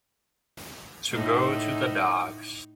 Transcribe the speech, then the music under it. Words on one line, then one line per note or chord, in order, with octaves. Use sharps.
To go to the dogs.
A2 D#4